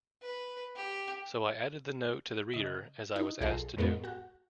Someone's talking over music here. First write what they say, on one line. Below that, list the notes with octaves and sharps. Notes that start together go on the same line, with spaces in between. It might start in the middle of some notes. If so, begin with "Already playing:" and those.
So I added the note to the reader as I was asked to do.
B4
G4
C#3 D#5
D#4
B1 F4 G#4 A4 A#5 C6
F2 A2 G#3 A#3 B3
F#4 F#5